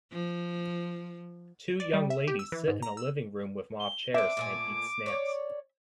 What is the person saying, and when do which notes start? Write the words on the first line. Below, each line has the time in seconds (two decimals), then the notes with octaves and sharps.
Two young ladies sit in a living room with mauve chairs and eat snacks.
0.12 F3
1.80 D5
1.93 G3
2.10 E5
2.28 G4
2.39 E6
2.52 E3
2.67 G#2
2.82 A#5
2.97 E6
3.80 G7
4.14 C4 D4 E5 D6
4.37 A#2 A3 G#5
5.06 C#5 D5